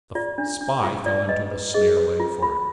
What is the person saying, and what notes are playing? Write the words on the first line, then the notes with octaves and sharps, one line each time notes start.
The spy fell into the snare laid for him.
F4 D5
D4
D4
F4
F4 D5
B4 D#5
B4
G#4 D#5
B4
F4
F4 B5